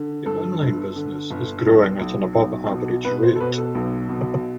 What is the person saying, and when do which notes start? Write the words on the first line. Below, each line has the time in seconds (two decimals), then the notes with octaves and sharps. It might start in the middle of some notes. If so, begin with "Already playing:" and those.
"The online business is growing at an above-average rate".
Already playing: D3
0.26 G2 A4
0.61 G1
0.96 D3
1.31 G1
1.66 B1
2.01 B1
2.36 B1
2.71 B2
3.05 B2 B4
3.23 C5
3.36 A4
3.40 B2 B4
3.58 A4
3.75 B1
4.09 B2